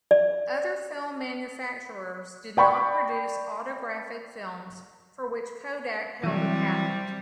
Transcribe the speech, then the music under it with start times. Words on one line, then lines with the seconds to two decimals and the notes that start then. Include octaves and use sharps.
Other film manufacturers did not produce Autographic films, for which Kodak held a patent.
0.11 D5
2.57 D5 G5 B5 C#6
6.23 C3 E3 F#3 G3 C4